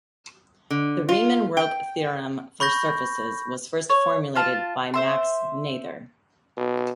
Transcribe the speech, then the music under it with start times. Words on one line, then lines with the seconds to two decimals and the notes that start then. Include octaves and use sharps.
The Riemann-Roch theorem for surfaces was first formulated by Max Noether.
0.70 D3
1.09 F4
1.57 G5
2.60 B5 C#6 G6 A#6
3.89 C#5
4.35 F4 F5 A5
4.94 C5 E5 C6
6.57 B2